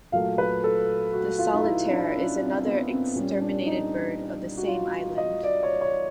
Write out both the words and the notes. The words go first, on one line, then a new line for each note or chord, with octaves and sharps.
The solitaire is another exterminated bird of the same island.
A#2 F#3 A3 F5
B4
A4
F#4
F4
D#4
E4
D4
C#4
C4
B3
C4
A#2 G3 C#4
D4
D#4
F#4
F4
D#5
D5
C#5
C#5